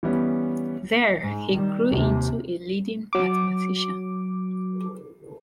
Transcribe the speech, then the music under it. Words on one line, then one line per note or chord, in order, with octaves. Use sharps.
There he grew into a leading mathematician.
E3 G3 B3 C#4
G#2
D#3 G3
D#2 C3
F#3 D6